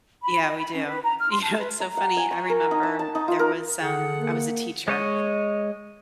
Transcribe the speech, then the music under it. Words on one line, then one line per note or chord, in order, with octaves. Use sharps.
Yeah, we do. You know, it's so funny, I remember there was, um I was a teacher
B5
D#5
B5
C#4
B4
A#5
F6
C6
A5
B4
A#5
F#5
G#5
C#6
A#4
D#4
A5
A5
D#4
F4
A#4
D3 G#4 F#5
A#3
G#3 C#5 D#5